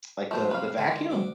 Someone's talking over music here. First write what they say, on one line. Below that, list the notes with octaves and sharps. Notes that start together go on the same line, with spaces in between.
Like the the vacuum?
A2 E3 F#3 A3 C5
C3 F3 B4 F5
D3 D#3 G#3
D2 F#4 D6